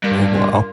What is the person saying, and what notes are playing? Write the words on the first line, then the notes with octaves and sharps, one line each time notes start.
Oh wow.
G2 A#3
F4